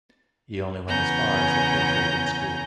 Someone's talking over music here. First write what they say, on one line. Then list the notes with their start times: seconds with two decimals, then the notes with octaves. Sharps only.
He only went as far as the third grade in school.
0.88 E2 C#3 B3 G#5 A#5 G6